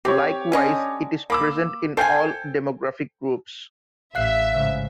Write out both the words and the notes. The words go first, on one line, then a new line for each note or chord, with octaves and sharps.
Likewise, it is present in all demographic groups.
C4 G4 C#5
D3 C#4 D#5
A#3 B5 D6 E6
A4 C5 F5 G5 G#5 G6
A1 E5 F5 F#6 C7
G#2 C#3